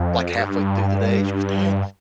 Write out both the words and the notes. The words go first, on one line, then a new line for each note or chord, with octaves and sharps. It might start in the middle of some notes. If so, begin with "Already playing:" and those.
like, halfway through the day, she goes, "Dad,
Already playing: F2
G2